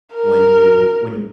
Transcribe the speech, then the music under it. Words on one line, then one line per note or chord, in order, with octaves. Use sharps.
when you when you
A#4